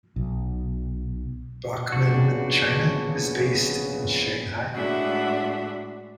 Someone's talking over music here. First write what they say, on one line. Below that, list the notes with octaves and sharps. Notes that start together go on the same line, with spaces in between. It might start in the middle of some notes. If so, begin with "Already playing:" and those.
Bachmann China is based in Shanghai.
B1
A#1 C#3 B3 D4 F#4
A2 G#3 D4 F#4 E5 F#5